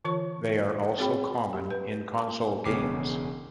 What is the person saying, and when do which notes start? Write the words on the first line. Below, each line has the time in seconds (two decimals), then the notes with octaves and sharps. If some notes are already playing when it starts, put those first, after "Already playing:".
They are also common in console games.
0.05 D3 E3 F4 C#5 C#6
0.98 C4 F#4 G#4 C#5 G5 B5
1.53 G4
1.70 B4
2.18 A5
2.65 E1 E2 C#3 G5 D6 C7